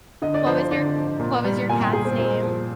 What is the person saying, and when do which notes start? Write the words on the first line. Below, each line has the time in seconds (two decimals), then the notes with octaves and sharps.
What was your what was your cat's name?
0.22 D3 D#5
0.34 D5
0.46 F3 C5
0.59 C5
0.71 D3 D5
0.96 F3
1.20 A#2
1.44 G3
1.69 A#2 G#5
1.82 G5
1.93 G3 G#4
2.05 C4
2.18 A#2 C4
2.43 F3